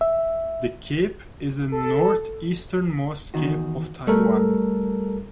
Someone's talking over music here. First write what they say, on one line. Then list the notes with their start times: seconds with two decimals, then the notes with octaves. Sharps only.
The cape is the northeasternmost cape of Taiwan.
0.01 E5
1.72 A4
3.34 E2 D#3 F#4
4.07 G3 A3 A4 A#4